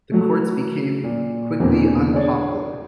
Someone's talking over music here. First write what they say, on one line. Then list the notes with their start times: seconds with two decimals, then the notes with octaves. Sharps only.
The courts became quickly unpopular.
0.12 F#3 A3
1.04 A#2
1.60 E2 B2 D3 E3 A#3 C4
2.14 D4 G#4 C#5 D5